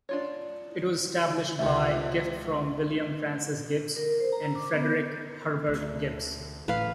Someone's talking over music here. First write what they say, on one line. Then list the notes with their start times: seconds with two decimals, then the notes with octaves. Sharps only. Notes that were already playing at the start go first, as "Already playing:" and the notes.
It was established by a gift from William Francis Gibbs and Frederic Herbert Gibbs.
0.09 D4 F4 C#5
1.59 C#2 C3 E5
3.96 A#4
4.20 C5
4.32 A#5
4.55 D6
4.74 B3
5.69 D2
6.68 A1 A2 E3 B4 F5